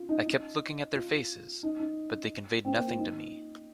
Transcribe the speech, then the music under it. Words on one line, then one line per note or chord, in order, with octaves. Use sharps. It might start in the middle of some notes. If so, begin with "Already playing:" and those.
I kept looking at their faces, but they conveyed nothing to me.
Already playing: F4
D#4
D#4
F4
D#4
D#4
C4
A#3
F4
D#4